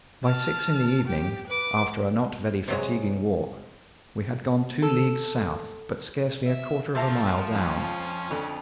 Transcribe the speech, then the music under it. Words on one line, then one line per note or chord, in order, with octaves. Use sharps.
By six in the evening, after a not very fatiguing walk, we had gone two leagues south, but scarcely a quarter of a mile down.
A5 F6
G4
B4 D6
C3 F#3 G#3
A4
E5
F3 A3 E5 A5 A#6
F2 C#4
F2 D3